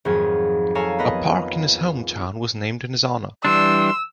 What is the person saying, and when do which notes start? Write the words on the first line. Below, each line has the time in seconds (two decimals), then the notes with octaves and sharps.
A park in his home town was named in his honour.
0.05 G#1 F2 F3 F#3 G#4 G#6
0.75 A4 C#5 F5 G#5 A#5
0.98 B3 A#4 B4 D#5
3.45 E3 G3 D4 C6 E6